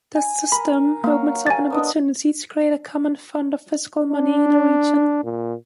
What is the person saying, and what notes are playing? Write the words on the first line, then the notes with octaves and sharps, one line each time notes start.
This system opens up an opportunity to create a common fund of physical money in our region.
G#5
A#4 B5
F#3 A#3 F5
G#5 A6
B3 D4 D#5
D4
A#2